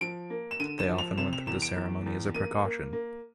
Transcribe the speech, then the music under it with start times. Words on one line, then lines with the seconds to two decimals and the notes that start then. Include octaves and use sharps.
They often went through the ceremony as a precaution.
0.01 F3 D7
0.30 A#3
0.51 E7
0.59 D3 D#7
0.79 E7
0.89 F3
0.98 F7
1.18 C3 E7
1.33 F7
1.47 E2 E7
1.62 D7
1.76 E2
2.06 E2
2.34 A#3 D#7
2.64 A#3
2.93 A#3